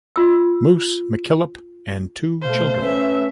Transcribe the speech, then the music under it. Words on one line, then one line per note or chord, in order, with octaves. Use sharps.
"Moose" McKillop and two children.
F4 E6
B2 A3 C5 F5
A3 C#4 B4 E5